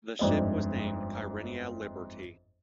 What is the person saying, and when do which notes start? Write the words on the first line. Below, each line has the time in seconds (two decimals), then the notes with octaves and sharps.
The ship was named "Kyrenia Liberty".
0.19 G1 F2 G#2 D5 D#5